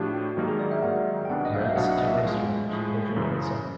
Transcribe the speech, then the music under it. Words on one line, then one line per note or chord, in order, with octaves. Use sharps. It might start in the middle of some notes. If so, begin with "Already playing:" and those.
Man sitting restaurant looking outside.
Already playing: A2 F3 A3 D4 F#4 G4
G#2 D#3 F#3 A#3 D#4 G4
G#4
D5
E5
G#2 D#3 F#3 A#3 D#4 F#5
G5
C2 B2 F#3 B3 D4 F#5
D#5
F5
E5
F5
C2 B2 F#3 B3 D4 F#5
F#5
D#5
E5
A2 F3 G#3 F5
A2 F3 G#3
F#2 C#3 E3